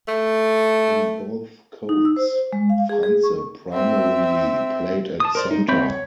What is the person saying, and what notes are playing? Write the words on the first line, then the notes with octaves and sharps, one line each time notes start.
In both codes, Franze primarily played at centre.
A3
D#4
E6
C5
G#3
F5
G#4
G#4
C#6
C4 E5
A5 D#6
A#4 C5 D5
D#4
C4 C#5 E5 B5 G6
C#5